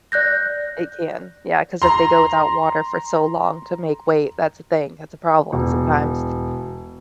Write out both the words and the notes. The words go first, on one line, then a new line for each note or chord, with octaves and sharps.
It can yeah, 'cause if they go without water for so long, to make weight that's a thing, that's a problem sometimes.
D5 F#6 G6 A#6
A#5 C6
E1